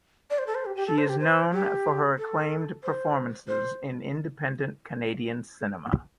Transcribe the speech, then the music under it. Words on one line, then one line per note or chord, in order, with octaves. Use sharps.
She is known for her acclaimed performances in independent Canadian cinema.
D5
C5
A4
C5
G4
G4
A4
C5
G4
C5
G4
A4
C5
C5